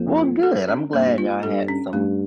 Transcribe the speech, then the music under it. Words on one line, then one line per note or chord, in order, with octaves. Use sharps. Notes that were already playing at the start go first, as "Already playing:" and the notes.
Well, good, I'm glad I had some,
Already playing: F2 A#3
F4
A4
C#4
G2 A#3
F4
G2 A4
C#4
G2 A3